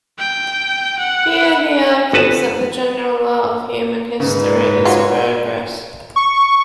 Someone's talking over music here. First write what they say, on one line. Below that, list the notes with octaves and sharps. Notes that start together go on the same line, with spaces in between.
Here, he argues that the general law of human history is progress.
G5
F#5
G1 F#4 B4 A5
G#2 C#3 B4
F4 F#4 C#5
C#6